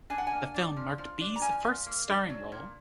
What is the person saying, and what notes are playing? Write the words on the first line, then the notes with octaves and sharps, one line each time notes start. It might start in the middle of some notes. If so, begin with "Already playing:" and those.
The film marked Bee's first starring role.
D4 G#5
F#5
G#5
A#3
D4
F3
F3
D4
A#5
F3 G#5
F3
A#3
D4
F#3
A#2